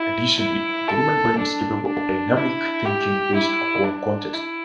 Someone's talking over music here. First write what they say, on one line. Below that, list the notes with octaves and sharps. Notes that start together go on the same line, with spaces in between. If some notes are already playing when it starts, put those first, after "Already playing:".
Additionally, the human brain is capable of dynamic thinking based upon context.
Already playing: E4
E4
A4
D4
D4
E4
G4
E4
D4
E4